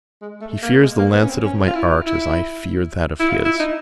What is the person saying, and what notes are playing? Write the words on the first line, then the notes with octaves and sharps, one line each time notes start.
He fears the lancet of my art as I fear that of his.
G#3
A3
A#3
G#3
A#3
B3
C#4
C4
C#4
F4
E4
E4
E4
F4
E4
D#4